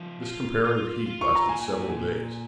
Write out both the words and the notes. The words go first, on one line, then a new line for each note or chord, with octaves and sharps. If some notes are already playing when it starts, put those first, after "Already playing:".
This comparative heat lasted several days.
Already playing: F3 D#4
F4
F4
F4
C#6
A#5
A#3 G#5
A#2